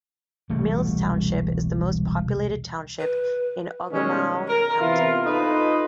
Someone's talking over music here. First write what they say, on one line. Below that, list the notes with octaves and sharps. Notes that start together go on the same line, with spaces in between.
Mills Township is the most populated township in Ogemaw County.
E1 C2 G3 A3
B4
B2 D#3 G3 G#3 C#4
A#4
C3 E3 B3 E4 F4
D#4 F4 A4 B4 C5 D#5